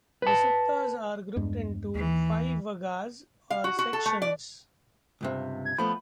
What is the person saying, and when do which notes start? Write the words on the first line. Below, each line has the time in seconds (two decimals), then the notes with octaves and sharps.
The suttas are grouped into five vaggas, or sections.
0.22 B4 A5
1.36 E2 G2 G#3
1.95 D#2 E3
3.50 F5
3.64 F#4
3.79 F#4
3.93 A4
4.06 A3
4.22 D5
5.21 C#2 G2 C3
5.65 G#6
5.78 F3 A3 B3 B5